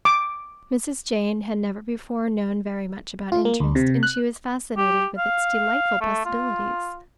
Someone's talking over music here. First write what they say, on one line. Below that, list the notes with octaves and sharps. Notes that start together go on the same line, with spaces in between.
Mrs. Jane had never before known very much about interest, and she was fascinated with its delightful possibilities.
D6
F4
A#3
D2
C3
F#6
G4
F5
A3
F4